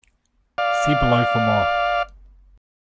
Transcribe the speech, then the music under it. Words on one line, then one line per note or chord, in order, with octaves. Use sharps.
See below for more.
D5 F5